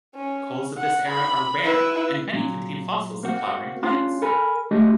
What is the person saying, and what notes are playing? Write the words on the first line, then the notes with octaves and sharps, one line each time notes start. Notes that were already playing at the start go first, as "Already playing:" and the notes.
Coals of this era are rare, and many contain fossils of flowering plants.
C#4
F#5
B5
E4 B4
A#2 F#3
A#3 C4 F#4
C#4 D4 F4
A4 A#4 G#5 B5
A3 D4 F#4 G4 D#5